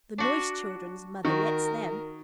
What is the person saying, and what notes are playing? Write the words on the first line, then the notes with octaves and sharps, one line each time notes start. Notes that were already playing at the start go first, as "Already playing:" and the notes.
"The Noyse children's mother lets them."
D4 F#4
D#3 F#4 A#4